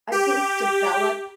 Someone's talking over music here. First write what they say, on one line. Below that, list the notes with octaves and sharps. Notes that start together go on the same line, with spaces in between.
I think, develop
G4